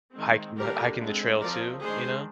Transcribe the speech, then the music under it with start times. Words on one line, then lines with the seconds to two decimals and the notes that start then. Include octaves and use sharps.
hiking tha hiking the trail too, you know,
0.16 D#3 G#3 C4
0.57 D3 G3 A#3 D4 G4 A#4
0.99 D3 G#3 C4
1.41 F3 C4 A#4 D5
1.82 D#3 G#3 D4 G#4 C5